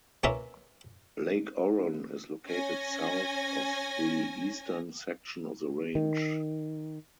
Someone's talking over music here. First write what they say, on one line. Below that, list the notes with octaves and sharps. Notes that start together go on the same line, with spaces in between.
Lake Oron is located south of the eastern section of the range.
A#3 C#4 F4 A#4 B4 E5
C#4 G#5 A#6
D#3